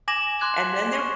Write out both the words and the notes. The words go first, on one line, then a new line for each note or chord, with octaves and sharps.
and then there
G#5 D6 G#6 A#6 E7 F#7
C6 D6 F#6 G#6
C#6